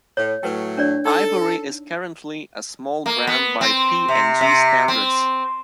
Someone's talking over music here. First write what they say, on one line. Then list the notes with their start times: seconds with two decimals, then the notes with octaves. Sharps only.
Ivory is currently a small brand by P and G standards.
0.17 A2 C#5
0.43 A2 F#3 A3 B4 G5
0.77 D4 C#5 D5
1.06 D#4 A4 E6
3.06 A#3
3.27 B3
3.61 C4
4.08 C3
4.41 C3
4.88 C4